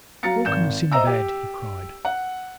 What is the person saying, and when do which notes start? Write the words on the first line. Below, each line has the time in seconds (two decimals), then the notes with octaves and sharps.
"Welcome, Sindbad," he cried.
0.23 F#3 F5 A#5 A6 C#7
0.45 G#1 G6 E7
0.92 C5 D#5 E5 A#5 E6
1.07 G4
2.05 F#5